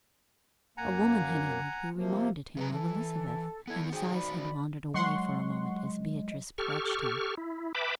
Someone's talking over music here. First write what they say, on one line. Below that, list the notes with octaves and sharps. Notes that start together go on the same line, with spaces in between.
A woman had entered who reminded him of Elizabeth, and his eyes had wandered away for a moment as Beatrice pledged him.
F#2 A#3 F#5 G#5 A#5
C3 F3 A#3
C#3 F#3 G#4 B4 A#5
E3 A4
B3 E4 A4 G#6
D#4 F#4 G#4 C5 G5
D5 B5
F#3 G#3 F#5 C6 C#6
G4 A4 C#6 F6
E4
B4 E5 G5 A5 B5 D6